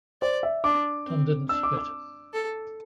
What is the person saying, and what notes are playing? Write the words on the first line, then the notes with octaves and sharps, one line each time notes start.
Tom didn't spit.
C5 D5
E5
D4 D6
C4
D4 E6
D6
D6
A4